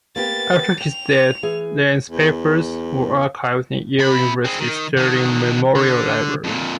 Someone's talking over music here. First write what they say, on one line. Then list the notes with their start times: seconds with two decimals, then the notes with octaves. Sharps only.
After his death, Lane's papers were archived in Yale University's Sterling Memorial Library.
0.16 A#3 B3 G4 A6
0.81 G5 F7
1.43 E3 G#4
2.09 E2
3.99 C3 B5
4.45 G#3 C4
4.60 D#3
4.97 D3 D#3
5.75 D3
6.44 F2 A#2